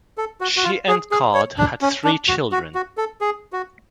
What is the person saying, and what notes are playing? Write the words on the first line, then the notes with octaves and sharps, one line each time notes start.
She and Card had three children.
A4
F#4
F#4
F4
G#4
G#4
C#5
D4
C#4
D4
F#4
F#4
F#4
A4
G#4
F#4